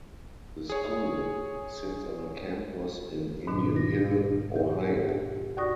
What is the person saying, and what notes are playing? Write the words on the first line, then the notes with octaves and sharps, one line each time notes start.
The school sits on a campus in Indian Hill, Ohio.
G#4 C#5
G#2 B2 D#3 D4
A#6
G4
D#2 F#4 D5 C#6 D#6 A#6